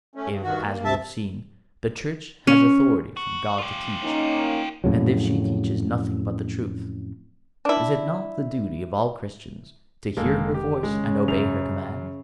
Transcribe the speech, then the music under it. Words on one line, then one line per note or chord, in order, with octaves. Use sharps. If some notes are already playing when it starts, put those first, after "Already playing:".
If, as we have seen, the Church has authority from God to teach, and if she teaches nothing but the truth, is it not the duty of all Christians to hear her voice and obey her commands?
A3 C#4
G2
G2 D#3 F#4
A#3
D2 C3 E5 A5
C#4
F#4
F4 G4
A#3 C#4 D#4
F2 A2 C#3 F#3
D4 E4
F1 D#3 G#3 A#3 A4
G4
C#3 G#3
F#2 F7